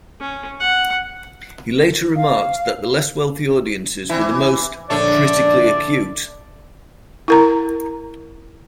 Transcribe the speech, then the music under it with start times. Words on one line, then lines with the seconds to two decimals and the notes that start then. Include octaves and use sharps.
He later remarked that the less wealthy audiences were the most "critically acute".
0.20 C#4
0.60 F#5
2.16 F5
4.10 E3 C4 E4
4.90 A#1 D3 A3 D4 C#5 D5 A5
7.28 E4 A#4 A#5